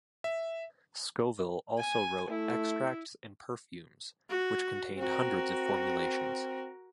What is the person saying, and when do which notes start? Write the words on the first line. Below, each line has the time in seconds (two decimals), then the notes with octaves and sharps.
Scoville also wrote "Extracts and Perfumes", which contained hundreds of formulations.
0.24 E5
1.78 G#5
2.30 A3 E4
4.29 F#4
4.98 C4 F#4 A#4